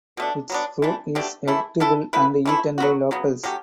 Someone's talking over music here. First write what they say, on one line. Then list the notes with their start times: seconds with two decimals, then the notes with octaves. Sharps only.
Its fruit is edible and eaten by locals.
0.17 B2 A3 D4
0.50 F#3 B3 D4
0.82 E3 A3 D4
1.15 B2 A3 D4 G4
1.48 E3 A3 E4
1.80 E3 A3 E4 A4
2.13 B2 A3 E4 B4
2.45 E3 A3 E4
2.78 F#3 B3 F#4
3.11 C#3 F#3 B3
3.43 F#3 A3 C#4 G4